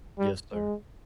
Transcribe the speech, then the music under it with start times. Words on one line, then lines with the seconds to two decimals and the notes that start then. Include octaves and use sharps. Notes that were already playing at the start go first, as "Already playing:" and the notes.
Yes, sir.
0.18 G3
0.53 G#3